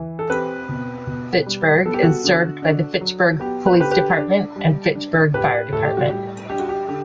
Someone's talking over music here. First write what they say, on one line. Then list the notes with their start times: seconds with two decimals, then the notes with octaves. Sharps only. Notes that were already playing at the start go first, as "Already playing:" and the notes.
Fitchburg is served by the Fitchburg Police Department and Fitchburg Fire Department.
Already playing: E3
0.19 A4
0.30 C4 G4 B4
0.69 B2
1.07 B2
1.46 G3
1.85 B3 A4
1.94 G4
2.03 F#4 A4
2.24 D3
2.62 D4
3.01 F#3
3.39 B3 G4
3.66 B4
3.73 C5
3.79 D3 G4 B4
3.91 G4 B4
4.18 D4
4.56 G3
4.95 D4
5.34 A2 G4 B4
5.73 A2 A4
5.85 G4
5.97 F#4
6.09 G3 G4
6.50 D4 G4
6.60 F#4
6.69 G4
6.88 D3 G4